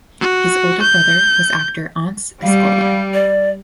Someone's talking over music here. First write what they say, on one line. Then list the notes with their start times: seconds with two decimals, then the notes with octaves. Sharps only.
His older brother was actor Ants Eskola.
0.21 F#4
0.82 G6
2.42 G3 F5
3.14 D5